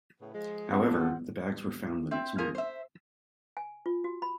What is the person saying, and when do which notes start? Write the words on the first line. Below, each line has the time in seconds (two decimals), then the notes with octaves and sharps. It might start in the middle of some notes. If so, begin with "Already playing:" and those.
However, the bags were found the next morning.
0.20 A2 C#3 B3
0.34 F3 G#3
0.70 C4 F#5
0.89 F4 G4 A4
2.11 C4 E5
2.38 F3 G#4 A#4
2.55 C5 E5
3.57 G#5
3.86 F4
4.04 F#4
4.22 B5